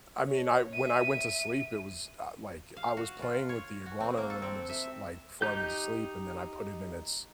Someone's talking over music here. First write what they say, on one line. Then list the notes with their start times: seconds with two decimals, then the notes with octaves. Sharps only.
I mean, I when I went to sleep, it was, uh, like I was playing with the iguana when I went to s like, before I went to sleep, and then I put it in its
0.25 C#5
0.73 E5 D#7
2.77 F5
2.97 F#4
3.22 F4
3.49 C#5
3.86 F#4
4.00 C4
4.17 A#3
4.30 A4
4.42 C4
4.69 E5
5.42 D#4 G4 G6